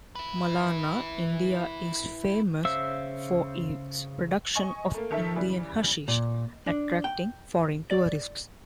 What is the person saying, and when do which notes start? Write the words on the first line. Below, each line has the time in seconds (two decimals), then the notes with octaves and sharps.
Malana, India is famous for its production of Indian hashish, attracting foreign tourists.
0.15 E4 B4
2.65 C#3 C5 E5 F5 E6
4.55 D#5 G#5 C#6
4.94 A3 A#3
5.11 D#3 A4 E5 B6
5.35 C#3 E3 G3
6.08 A#2
6.66 D4
7.04 G5
7.91 D5